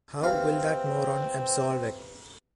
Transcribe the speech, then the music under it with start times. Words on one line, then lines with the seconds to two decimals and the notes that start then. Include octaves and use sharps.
How will that moron absolve it?
0.22 C3 E3 C4 F5